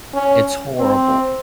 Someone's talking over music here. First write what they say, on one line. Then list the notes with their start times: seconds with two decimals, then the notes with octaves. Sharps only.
it's horrible.
0.14 C#4
0.80 C4